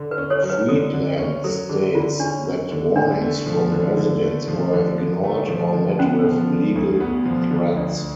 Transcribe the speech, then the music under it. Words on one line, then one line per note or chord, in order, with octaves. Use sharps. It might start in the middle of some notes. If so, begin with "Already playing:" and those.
Freedland states that warnings from residents were ignored or met with legal threats.
Already playing: D3
B4
C#4
A4 C#5
F#3
B4
D3 A4
D3
C#4
F#3 A4
D3 G#4
D3 F4
C#4 D4
F#3
D3
D3 D4
A3
F3
D3
D3
A3
F3
D3
D3
A3
F3
D3
B3 C#4
F3
D3
D2
B3
F3
D3
D2